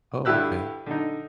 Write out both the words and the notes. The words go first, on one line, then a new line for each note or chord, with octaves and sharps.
Oh, okay.
G2 D3 E4 G4 E6 F#6
D3 D#4